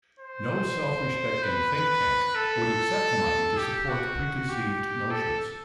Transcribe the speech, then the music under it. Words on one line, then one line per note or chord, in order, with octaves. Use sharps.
No self-respecting think tank would accept money to support preconceived notions.
C5
B4
B4
A4
G4
F#4
G4
A4